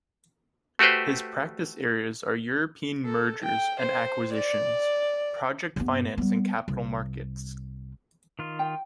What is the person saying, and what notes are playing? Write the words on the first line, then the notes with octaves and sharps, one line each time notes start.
His practice areas are European mergers and acquisitions, project finance and capital markets.
A3 F#4 G4 B4 C5
A4
G5
C5
D5
G2 B3
G3 B3
C2
D#3 F4
G5